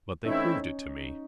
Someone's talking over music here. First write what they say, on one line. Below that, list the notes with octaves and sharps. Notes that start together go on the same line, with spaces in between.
But they proved it to me.
E3 A3 C4 C#4 D#4 E4